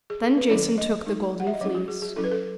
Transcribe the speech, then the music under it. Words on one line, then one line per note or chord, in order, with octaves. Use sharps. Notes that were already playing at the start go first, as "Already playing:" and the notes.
Then Jason took the Golden Fleece.
G#4
A4
B4
D#3 F#3 A3 C#4 E4 C#5
D#5
G#3 D#4
F#5
E5
D#5
F#3 C#4 E4 C#5
F#4
G#4
G#4
F#3 C#4 E4 A4
B4
A4